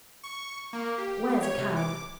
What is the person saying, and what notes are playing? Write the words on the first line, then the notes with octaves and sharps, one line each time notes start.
Where's a cab?
C#6
A#3
G4
C#5
C3
D6